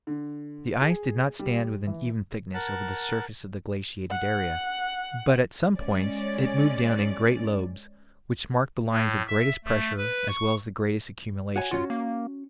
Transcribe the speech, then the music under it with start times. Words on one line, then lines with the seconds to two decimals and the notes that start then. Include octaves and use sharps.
The ice did not stand with an even thickness over the surface of the glaciated area, but at some points it moved down in great lobes, which marked the lines of greatest pressure as well as the greatest accumulation.
0.07 D3
0.81 G#4
1.39 G3
1.87 E3
2.54 A#4 F#5 A5
4.11 F#5
5.79 G#3 C#4 D5
8.90 A2
9.28 E5
9.64 A3
9.97 B4
10.28 C#6
11.56 F#4 C#5 G#5
11.71 C#4 F4 F#4
11.90 A#3